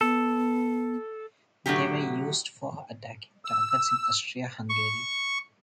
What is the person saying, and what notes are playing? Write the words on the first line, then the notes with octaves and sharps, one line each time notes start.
They were used for attacking targets in Austria-Hungary.
B3 A4
A2 D3 F#3 G4
E6
C#6